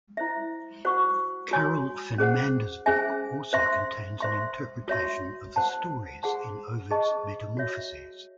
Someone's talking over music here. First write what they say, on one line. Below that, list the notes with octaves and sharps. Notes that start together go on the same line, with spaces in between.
Karel van Mander's book also contains an interpretation of the stories in Ovid's "Metamorphoses".
E4 C5 E5
F#4 C5 F#5 C#6
F#4 C#5 G#5 C6
C#4 G#4 C5 F#5
C#4 G#4 C5 E5 G#5
C5 E5 C6
C5 E5 C6
F#4 C#5 E5 C6
C5 F#5 A5
G#4 C5 F#5 A5 C6
G#4 C5 D#5 A5 C#6
F#4 C#5 E5